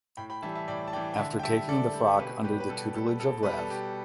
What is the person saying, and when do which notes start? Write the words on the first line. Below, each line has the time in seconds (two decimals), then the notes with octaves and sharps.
After taking the frock under the tutelage of Rev.
0.17 A2 G5 B5
0.30 G5 B5
0.42 E3 G3 E5 A5
0.55 E5 A5
0.68 A2 D5 G5
0.88 A5
0.93 E3 G3 D5 G5
1.13 G5
1.18 D3 E5 A5
1.39 G5
1.43 G3 E5 A5
1.69 D3 A4 D5
1.94 G3
2.19 B2 G4 B4
2.44 G3 G4 B4
2.60 B4
2.69 B2 A4
2.95 G3 A4
3.20 B2 A4
3.43 G3 B4
3.57 A4
3.70 B2 G4